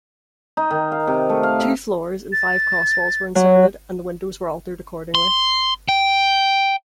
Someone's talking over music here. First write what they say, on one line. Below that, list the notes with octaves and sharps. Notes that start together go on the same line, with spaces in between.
Two floors and five cross-walls were inserted, and the windows were altered accordingly.
D#4
D#3
F5
C3
A3
F5
E5
A6
F#3
C6
G5